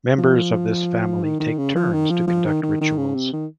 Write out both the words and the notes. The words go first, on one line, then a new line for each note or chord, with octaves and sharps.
Members of this family take turns to conduct rituals.
F3
D#3
D#3
C#3
F3
D#3
F3
F3
D#3
D#3
D#3
C#3
C3
D#3